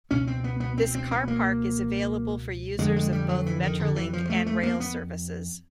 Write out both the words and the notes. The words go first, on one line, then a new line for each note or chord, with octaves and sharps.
This car park is available for users of both Metrolink and rail services.
C#2 B2 C#4
C4
B3
B3
C4
C4
B3
A#3
F2 D3 G#3
G#3
G3
F#3
E3
D#3
D3
E3
F3
A3
A3
A#3
B3